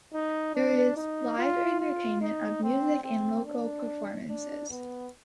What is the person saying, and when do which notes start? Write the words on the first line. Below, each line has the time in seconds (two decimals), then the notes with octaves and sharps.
There is live entertainment of music and local performances.
0.14 D#4
0.55 D4
0.97 D#4
1.38 F4
1.80 F4
2.21 D#4
2.63 C4
3.04 C4
3.45 D4
4.29 D4
4.70 B3